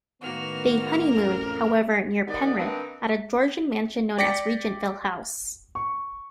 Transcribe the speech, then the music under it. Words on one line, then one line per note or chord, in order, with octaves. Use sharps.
They honeymooned, however, near Penrith, at a Georgian mansion known as Regentville House.
A2 D#3 A#3 B3 F#4 F6
A1 F2 C#4 A#4
D#2 B3 D5
D#3 A#3 C4 D4 D#4 B4
D5 G5 A#6 B6 C#7
C#6